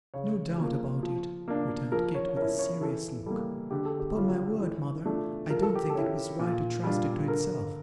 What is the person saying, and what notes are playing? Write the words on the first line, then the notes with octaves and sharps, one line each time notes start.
'No doubt about it,' returned Kit, with a serious look; 'upon my word, mother, I don't think it was right to trust it to itself.
C#3 C#5
F3 A#3
F3
A#3 D4
F3 A#4
C#5
C#5
C#4 A#4
E4
C#5
E3 A4
G3 A#3 A4
D3 G4
A4
G4
G3 C#4 F4
E3
A3 D4 F4
F3 A#4
A4
G4
A4
C#4 E4
A#2
G3 D4 F4
D3 A#4